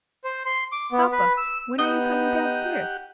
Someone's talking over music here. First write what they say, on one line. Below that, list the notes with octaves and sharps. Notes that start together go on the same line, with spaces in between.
Papa, when are you coming down stairs?
C5
C6
D6
B3
B4
E6
B3 D#4 G4 F#5 D#6 G7